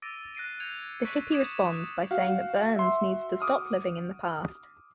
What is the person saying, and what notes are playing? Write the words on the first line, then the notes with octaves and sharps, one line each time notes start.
The hippie responds by saying that Burns needs to stop living in the past.
D6 E6 A6 A#6 D7 D#7
F#6 A#6 C7 D7 D#7
G6 G#6 C#7 F7
C#6 F#6 B6 C#7
D6 D#6 G#6 E7 F#7
F#4 F5
E5 C6
D6 D#6 F6